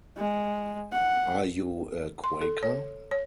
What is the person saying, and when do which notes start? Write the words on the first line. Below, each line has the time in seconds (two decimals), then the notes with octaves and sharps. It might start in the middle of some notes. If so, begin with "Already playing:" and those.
Are you a Quaker?
0.17 G#3
0.92 F#5
2.24 C6
2.41 A4
2.63 C#5
3.11 C#5